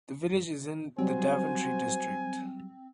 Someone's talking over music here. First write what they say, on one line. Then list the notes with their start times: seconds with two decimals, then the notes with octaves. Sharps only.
The village is in the Daventry district.
0.98 F#3 G3 C4 F#4 C5 G#5